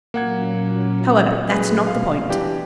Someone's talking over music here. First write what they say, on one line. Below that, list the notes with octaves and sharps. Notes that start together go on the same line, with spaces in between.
However, that's not the point.
A#2 F#3 A#3 C#4 F#5 G#6
G#4 B4
B2 G3 F5
E3 D4 G4